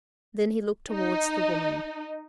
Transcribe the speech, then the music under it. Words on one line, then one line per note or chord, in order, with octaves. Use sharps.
Then he looked towards the woman.
D#4